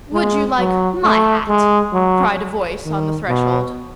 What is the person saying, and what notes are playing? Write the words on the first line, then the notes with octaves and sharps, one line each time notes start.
"Would you like my hat?" cried a voice on the threshold.
G#3
F#3
A3
G#3
F#3
D#3
B2